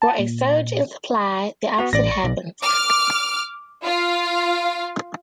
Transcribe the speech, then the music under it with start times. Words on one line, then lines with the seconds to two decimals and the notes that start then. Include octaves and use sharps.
For a surge in supply, the opposite happens.
0.02 A5
0.19 A#2
1.78 B3 F#4
1.93 A1 D5 A#6
2.11 C#6
2.24 B1
2.62 D6 F6
3.84 F4 F5